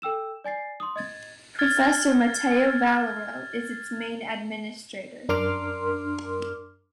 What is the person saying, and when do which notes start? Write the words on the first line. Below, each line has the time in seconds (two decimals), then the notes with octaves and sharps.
Professor Mateo Valero is its main administrator.
0.02 A4 G5 E6 E7
0.44 D5 G#5 A6 C7
0.80 C6 D#6
0.96 D#5 G#6 A6
1.59 F6 G#6 A6
5.29 F#2 D4 A#4 C6 D6 F6